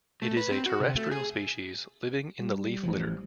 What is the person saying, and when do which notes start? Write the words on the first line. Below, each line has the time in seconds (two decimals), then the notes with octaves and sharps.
It is a terrestrial species living in the leaf litter.
0.22 A3
0.37 B4
0.51 C4
0.66 F#4
0.80 C3
0.96 A3
1.11 G#4
2.40 G3
2.83 A1 E3 F3